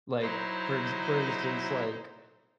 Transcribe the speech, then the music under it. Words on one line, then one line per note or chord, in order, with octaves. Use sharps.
like, for ex for instance, like,
F#3 D#4 E4 C5